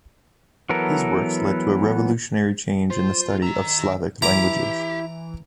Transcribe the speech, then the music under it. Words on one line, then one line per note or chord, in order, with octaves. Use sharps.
His works led to a revolutionary change in the study of Slavic languages.
E3 F#3 B3 A4 A#4
F4 C5
D#3 A#5 E6
E3 E4 G4 A#5 D6